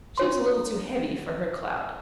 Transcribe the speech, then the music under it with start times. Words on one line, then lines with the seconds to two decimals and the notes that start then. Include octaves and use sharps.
She was a little too heavy for her cloud.
0.18 D4 C#5 C6